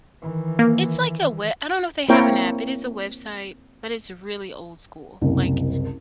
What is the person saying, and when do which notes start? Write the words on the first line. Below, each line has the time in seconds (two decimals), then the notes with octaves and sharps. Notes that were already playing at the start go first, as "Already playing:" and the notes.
It's like a we I don't know if they have an app. It is a website, but it's really old-school. Like,
0.22 D#3 E3
0.59 A#3
2.09 A#3 C4 E4 A#4 C#5 G5
5.21 F#1 C2